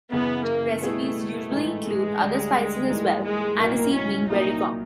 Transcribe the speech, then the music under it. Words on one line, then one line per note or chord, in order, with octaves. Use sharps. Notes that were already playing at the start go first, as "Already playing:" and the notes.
Recipes usually include other spices as well, aniseed being very common.
F#2 C#3 E3 B3
A#3
B2 G3 A3 B3 E4 G#4
A1 G#2 E3 G#3
G#3
D2 D3 G3
G#2 E3 G3 A#3
G#3
B1 A2 F#3 A#3
C#4
C2 A#2 F#3 A#3 D#4